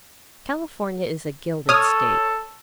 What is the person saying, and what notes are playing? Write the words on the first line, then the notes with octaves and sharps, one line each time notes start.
California is a gilded state.
A4 C#5 D#6 F6